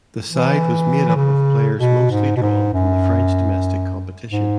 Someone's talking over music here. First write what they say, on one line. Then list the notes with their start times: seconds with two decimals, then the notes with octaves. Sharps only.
The side was made up of players mostly drawn from the French domestic competition.
0.32 E3
1.08 E3
1.16 C#3
1.78 B2
2.11 G#2
2.37 B2
2.42 G#2
2.73 F#2
4.31 G#2